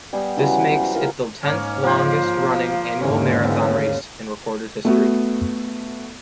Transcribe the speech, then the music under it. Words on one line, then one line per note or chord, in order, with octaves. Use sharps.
This makes it the tenth longest running annual marathon race in recorded history.
G3 B3 G#4
C#3 E3 F#3 G3
C5
F4 A#4
G#2 A#3 C#4
F3 A#3 C5
D#2 G#2 D3 E3 C#4
C#3 E3 B3 C4
A3 B3 F#4